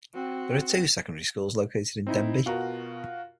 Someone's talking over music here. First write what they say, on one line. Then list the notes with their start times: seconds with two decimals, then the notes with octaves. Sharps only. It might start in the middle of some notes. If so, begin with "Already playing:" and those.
There are two secondary schools located in Denbigh.
0.14 C4 F#4
2.07 C4 D#4 E4
2.46 B2 F4 F#4 A#4